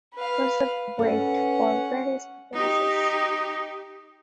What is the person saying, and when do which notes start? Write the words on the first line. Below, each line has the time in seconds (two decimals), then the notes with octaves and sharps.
Cars are weighed for various purposes.
0.14 B4 F5
0.99 C#4 A4 B4 F#5
2.53 D#4 G4